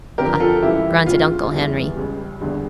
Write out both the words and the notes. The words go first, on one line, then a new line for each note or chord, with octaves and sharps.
"Huh!" grunted Uncle Henry.
F2 D3 F3 G4 A#4
F4 A4
C#2 C#3 E3 G3 E4 G4
D2 C#3 G3 F4
E2 E3 G3
C#2 C#3 G3
E2 D3 G3